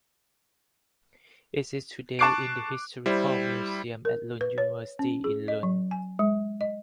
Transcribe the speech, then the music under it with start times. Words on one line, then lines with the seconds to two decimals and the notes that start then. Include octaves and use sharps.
It is today in the Historical Museum at Lund University in Lund.
2.19 A5 C#6 D6 F#6 C7 D7
3.06 G3 E4 C5
4.05 A#4
4.41 B4
4.58 C#5
4.99 C#4
5.24 G#4
5.48 D#5
5.63 F#3
5.91 G#5
6.19 G#3
6.61 D#5